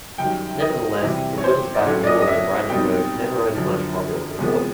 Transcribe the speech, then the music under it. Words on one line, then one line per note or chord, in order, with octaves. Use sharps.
Nevertheless, the Wittelsbach rule in Brandenburg never earned much popular support.
F#2 D#3 G3 G5
D#5
C3 E3 G3 C4 E4
C#5
C5
D5
A2 F#3 A3 C#4 E4 C#5
D5
D#5
D#5
E5
B2 G3 C4 D#4 G5
F#2 D3 F3
E2 C3 F3 G#3 B3